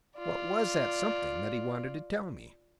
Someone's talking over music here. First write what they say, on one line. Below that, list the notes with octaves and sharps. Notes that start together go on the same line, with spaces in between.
What was that something that he wanted to tell me?
F4 D5